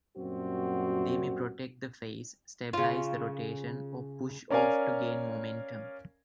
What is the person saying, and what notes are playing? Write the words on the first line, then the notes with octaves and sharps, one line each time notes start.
They may protect the face, stabilize the rotation, or push off to gain momentum.
F#2 A#2 G3 C4 F#4
C#3 F4
C#4 A#4 D5 F5 G#5